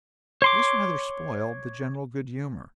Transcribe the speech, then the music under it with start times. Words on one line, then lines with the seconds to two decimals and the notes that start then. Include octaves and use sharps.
This rather spoiled the general good humor.
0.42 C#5 C6 D6